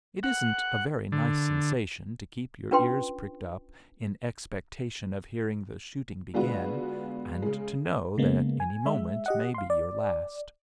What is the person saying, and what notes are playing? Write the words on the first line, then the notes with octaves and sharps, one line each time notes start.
It isn't a very nice sensation to keep your ears pricked up in expectation of hearing the shooting begin, and to know that any moment may be your last.
F#5
D3
C#4 D4 F4 B4 G5 C6
D3 G#3 B3 F4 F#4 B4
C#3 G#3
C#3 G#3 A#3 B3
G#5
G#3 E5
G4 D#5 F#5
F5 C6
D5